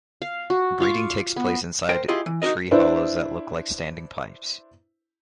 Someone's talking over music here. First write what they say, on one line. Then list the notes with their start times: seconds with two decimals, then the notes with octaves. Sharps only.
Breeding takes place inside tree hollows that look like standing pipes.
0.22 F5
0.50 F#4
0.80 F4 F5 C#6 D6
1.36 B3
1.89 A#4 C5 G5
2.08 E4 F4 G4 G#4 D#5
2.26 E3
2.42 D#4 F#4 G4 A#4 D#5
2.71 D4 E4 B4 C5